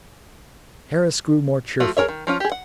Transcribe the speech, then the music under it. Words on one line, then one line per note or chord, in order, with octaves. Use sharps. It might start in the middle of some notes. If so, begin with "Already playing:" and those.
Harris grew more cheerful.
F3 A3 F4 F#4
G#4 A#4 C#5 E5
D#3
F3 C#4 F4
G4 G#4
F#5